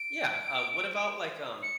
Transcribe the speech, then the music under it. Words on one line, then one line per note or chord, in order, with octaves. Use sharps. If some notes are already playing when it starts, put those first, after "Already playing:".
Yeah, um, what about, like, um
Already playing: D7
C#7